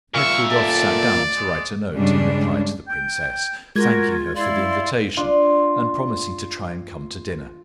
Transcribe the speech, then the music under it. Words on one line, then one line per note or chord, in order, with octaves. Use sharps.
Nekhludoff sat down to write a note in reply to the princess, thanking her for the invitation, and promising to try and come to dinner.
A#2 E5 F5 C#6
A4 D5
G#3
G2 C#3 G3 G#3 D4
G5 G6
G#3 F4 F#4 A#4 G#6
E4 D5 F5 C6
D4 F4 D5